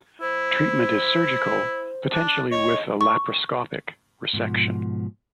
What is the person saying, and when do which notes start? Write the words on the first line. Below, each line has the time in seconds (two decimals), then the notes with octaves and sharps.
Treatment is surgical, potentially with a laparoscopic resection.
0.21 E4 C5
2.12 D4
2.51 C#5 D#5
3.01 C#6
4.33 G#2 B2 F3